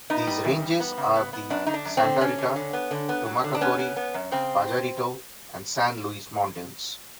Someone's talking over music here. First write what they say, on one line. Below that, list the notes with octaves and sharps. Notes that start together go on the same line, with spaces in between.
These ranges are the Santa Rita, Tumacacori, Pajarito, and San Luis Mountains.
B3 D#4
G3
E3
G3
B3
C#3
B3
B3
F#2 D4
D3 D#4
D4
F#2
C4
D3
D3 C#4
D3
D3
B3
D3
B3
F#3
D3
D4
B3 C#4
B3
B3
F#2
C#3 C4